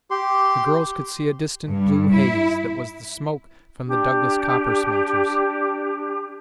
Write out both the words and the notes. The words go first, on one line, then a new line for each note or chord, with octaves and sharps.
The girls could see a distant blue haze that was the smoke from the Douglas copper smelters.
G4 C6
G2
E4
D4 G4